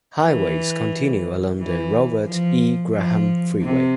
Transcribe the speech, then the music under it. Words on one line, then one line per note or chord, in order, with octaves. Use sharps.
Highways continue along the Robert E. Graham Freeway.
E3
E3
F3
F3
C3